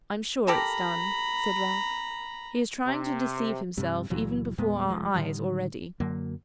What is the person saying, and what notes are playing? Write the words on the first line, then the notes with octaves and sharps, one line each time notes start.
'I am sure it's done,' said Ralph. 'He is trying to deceive himself, even before our eyes, already.
G4 A4 A#4 A#5 B5
C3
G2 C3 G3
C#2 A#2 E3 F#3
E2 A#2 G#3 B3
F1 C#2 F3 G#3
A2 D3 D#3 G3
F#2 D3 F#3 A#3